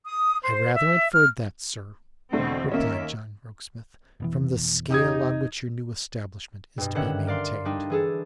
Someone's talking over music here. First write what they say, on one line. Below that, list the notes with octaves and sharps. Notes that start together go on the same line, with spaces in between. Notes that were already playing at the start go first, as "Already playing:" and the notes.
'I rather inferred that, sir,' replied John Rokesmith, 'from the scale on which your new establishment is to be maintained.'
D#6
C5
E5
F6
E2 B2 D3 A3 C4
D#2 A#3 C#4 E5
F1 B2 E3
D#4 G4 D#6 G#6
G2 B2
G2 D3 D#3 C#4 E5 F#5
A#4 D5 F5 C6
G3 D4 D#4
E3 G#4 A4